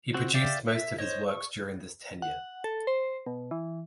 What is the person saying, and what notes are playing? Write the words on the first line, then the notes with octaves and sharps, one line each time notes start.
He produced most of his works during this tenure.
C4 F#4
D5 E5 F5 G5 D6
E5
C5 C#5 D#5
C#6
F#5
A4
C5
B2
E3